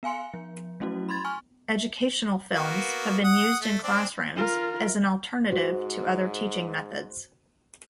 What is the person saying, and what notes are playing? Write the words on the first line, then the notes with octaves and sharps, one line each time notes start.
Educational films have been used in classrooms as an alternative to other teaching methods.
B3 F5 G#5 C6 C#7
F3
F#3 A3 C#4 E4 F#4
B5 C6 G#6 A6
G#5 C6 C#6 F6
A#3 B3 F#4
F#5 D#6
A3
C4 D4 D5
F4 A#4
G#2 F#4 C5